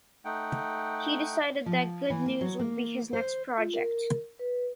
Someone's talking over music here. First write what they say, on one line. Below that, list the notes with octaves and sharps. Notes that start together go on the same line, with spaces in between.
He decided that "Good News" would be his next project.
A3 D#4 F#5 G5
F3
E3
A#3
F#3
A#3
C5
F4
A#4
B4